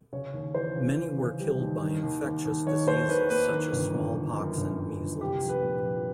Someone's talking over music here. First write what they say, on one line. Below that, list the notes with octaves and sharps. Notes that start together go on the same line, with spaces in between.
Many were killed by infectious diseases such as smallpox and measles.
C#3 C#5
D#2
E3 C5
C#3
E3
C#3
G3
D#2
D#3
D#2
D#2
D#2
D#3 C#5
D#2 C5
D#3 B4
A#3 B4
D#3
G1
G1
G1
F#2
G1
F#2
G1
C2 G4
F3
B4
A#2
F3